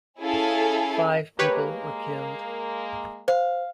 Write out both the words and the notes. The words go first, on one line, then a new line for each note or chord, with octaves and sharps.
Five people were killed.
C#4 E4 G#4 A4 F5 G#5
G#3 A#3 G4 B4 C#5
C5 F5